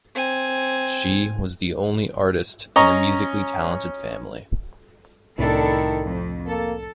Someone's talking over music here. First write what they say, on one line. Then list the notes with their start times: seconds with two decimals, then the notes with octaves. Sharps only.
She was the only artist in a musically talented family.
0.15 C4 G#5
2.76 C#4 D#5 A#5 C#6
5.39 C2 A2 C3 D#3 D4 E4 A4
6.04 F2
6.47 A#3 A4